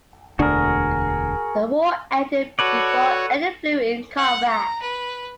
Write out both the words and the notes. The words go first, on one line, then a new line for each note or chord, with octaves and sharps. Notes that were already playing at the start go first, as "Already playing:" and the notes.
The war ended before any flew in combat.
E1 D2 D4 F#4 G#4 A#4
F#4 A4 B4 C#5 D5
F#5
A#5
B4